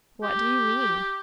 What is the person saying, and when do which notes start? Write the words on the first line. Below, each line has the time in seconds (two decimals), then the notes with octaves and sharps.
"What do you mean?"
0.23 G4